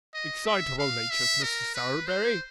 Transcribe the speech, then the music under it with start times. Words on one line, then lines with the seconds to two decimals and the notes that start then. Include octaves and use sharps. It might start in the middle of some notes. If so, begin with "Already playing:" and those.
Excitable natures, Mrs. Sowerberry!
0.14 D#5
0.46 E5
0.79 F5
1.11 E5
1.43 A#4
1.75 B4
2.06 C5